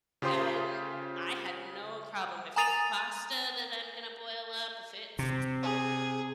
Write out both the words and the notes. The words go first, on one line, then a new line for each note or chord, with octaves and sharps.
And, I had no problem, if it's pasta that I'm gonna boil up, if it's
C#3 F4 G4 C5 C6 D#6
G#5 A#5 D#6 A6 D#7 F7
C3
G#4